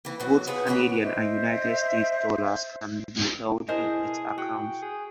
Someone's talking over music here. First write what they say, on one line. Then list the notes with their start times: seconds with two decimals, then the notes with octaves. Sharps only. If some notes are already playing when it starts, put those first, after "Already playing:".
Both Canadian and United States dollars can be held in its accounts.
0.05 E3 A#3
0.20 B2 F#3
0.47 F4 G#4 B4 C#5 E5 F#5
0.67 B2 E3 A#3 C#4 B4
1.02 C5 D#5 E5
3.68 B2 E4 G#4 A#4 C5 D#5 A5
4.38 F#4 G5
4.82 G#4